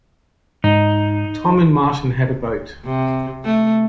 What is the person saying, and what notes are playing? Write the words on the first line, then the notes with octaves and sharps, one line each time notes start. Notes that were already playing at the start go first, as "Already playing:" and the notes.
Tom and Martin had a boat.
G#2 D#4
C3
A3